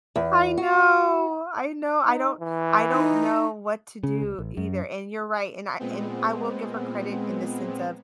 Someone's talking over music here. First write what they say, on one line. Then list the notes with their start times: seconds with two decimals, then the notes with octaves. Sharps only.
I know, I know. I don't I don't know what to do either, and you're right, and I and I will give her credit in the sense of
0.16 E2
0.57 F#4
2.06 D#4
2.40 E3
2.92 D#4
4.03 C#3
4.22 C#2
4.38 A1
4.57 F#2
5.79 A#2 G#3 B3 C4